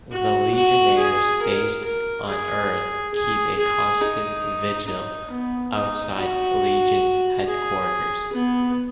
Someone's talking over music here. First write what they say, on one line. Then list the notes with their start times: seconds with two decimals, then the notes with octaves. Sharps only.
The Legionnaires based on Earth keep a constant vigil outside Legion headquarters.
0.12 F#4
0.55 F#4
0.98 G#4
1.42 A#4
1.85 A#4
2.29 G#4
3.14 G#4
3.59 G#4
4.01 D#4
4.87 D#4
5.31 B3
5.74 D#4
6.17 F#4
7.47 G#4
8.33 B3